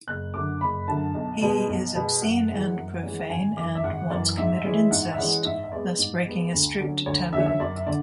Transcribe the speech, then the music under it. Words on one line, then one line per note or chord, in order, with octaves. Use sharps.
He is obscene and profane and once committed incest, thus breaking a strict taboo.
F#1 F#6
F#2 D3 D6
F#1 B5
F#2 D3 A5
B1
B2 G#3 B3
B1
B2 G#3 B3
F#2 F#5
E3 G#3 C#4
F#2
E3 G#3 C#4
F#5
G#1 G#5
F#2 E3 D6
E5
G#1 F#5
F#2 E3 D5
G#2 E5
E3 G#3 C#4
G#2 F#5
E5
E3 G#3 C#4 F#5
G#2 E5
E5
G#3 B3 D5
G#2
G#3 B3
D2
D3 F#3 C#4
D2 C#5
D3 F#3 C#4 E5
E5
F#2 D5
E5
D3 D5